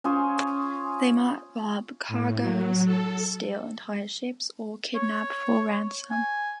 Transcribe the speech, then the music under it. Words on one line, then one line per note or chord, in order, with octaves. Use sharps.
They might rob cargoes, steal entire ships, or kidnap for ransom.
C#4 F4 G#4 C5
A2
F#3
A4
C#5
G#5